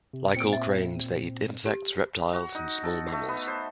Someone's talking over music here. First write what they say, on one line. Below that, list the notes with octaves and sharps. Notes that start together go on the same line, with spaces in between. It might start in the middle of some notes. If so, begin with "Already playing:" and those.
Like all cranes, they eat insects, reptiles, and small mammals.
C3
A#2 C4 C#7 D7
E5
G4
F#4
D#4
A4
A3
B3
C5